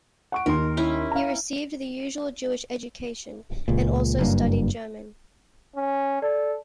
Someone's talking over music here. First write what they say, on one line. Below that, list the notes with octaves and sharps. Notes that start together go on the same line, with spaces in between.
He received the usual Jewish education, and also studied German.
F#5 C#6 D7
D#2 D#3 A#4 C6
C#4 E4
F5 A#5
C#2 A#2
F#1 G2 A#3
C#4
A4 D5